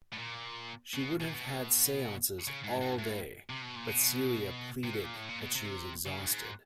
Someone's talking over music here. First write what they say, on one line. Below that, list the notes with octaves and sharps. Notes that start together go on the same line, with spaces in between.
She would have had seances all day, but Celia pleaded that she was exhausted.
A2
A#2
B2
B2
A#2
B2
C#3
G#2
G#2
A2
C3
B2
A#2
B2
C3
B2
A#2
A2
A#2
B2
C3
C#3
G2
G#2